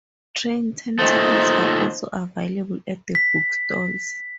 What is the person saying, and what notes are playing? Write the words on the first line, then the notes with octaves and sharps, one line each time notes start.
Train timetables are also available at the book stalls.
A#2 D#3 A3 C5 D#5
B6